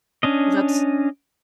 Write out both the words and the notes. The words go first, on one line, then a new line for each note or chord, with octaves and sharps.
Well that's
C#4 D4 D#5